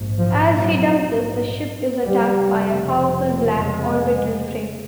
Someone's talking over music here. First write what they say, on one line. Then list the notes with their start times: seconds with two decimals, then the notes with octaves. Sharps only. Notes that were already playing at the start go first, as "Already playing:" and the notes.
As he does this, the ship is attacked by a powerful black Orbital Frame.
Already playing: A#1 G#2
0.18 F3
0.56 F#3
2.06 F1 F2 C#3 G3
3.56 G#3